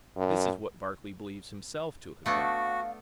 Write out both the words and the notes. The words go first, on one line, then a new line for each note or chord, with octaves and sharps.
This is what Berkeley believes himself to have done.
F#2
A3 B3 D4 F#4 F5